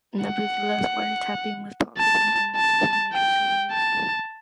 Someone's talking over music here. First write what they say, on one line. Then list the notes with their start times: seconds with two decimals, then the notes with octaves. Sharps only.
Nevertheless wiretapping was possible in multiple major cities.
0.25 F#5
1.98 A5
2.56 A5
3.14 G5
3.72 A5